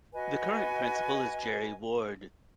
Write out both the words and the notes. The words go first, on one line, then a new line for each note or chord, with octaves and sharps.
The current principal is Gerry Ward.
F#4 B4 D#5 G#5